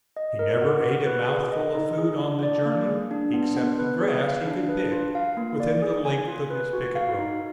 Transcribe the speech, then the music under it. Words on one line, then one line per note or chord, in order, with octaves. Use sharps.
He never ate a mouthful of food on the journey except the grass he could pick within the length of his picket rope.
D#5
A#4
F#5
F#4
B4
G#4
D#5
D#4
G#4
D4
D5
A#3
G#4
D4
B3
B3
B4
G#4
F5
D4
B4
F4
F5
A#3
D5
G#4
G#5
F4
B4
F#4
F5
D#4